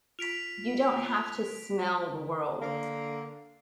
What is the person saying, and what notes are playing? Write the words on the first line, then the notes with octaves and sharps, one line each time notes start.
You don't have to smell the world!
F4 B6 D7 F7
D3 A#3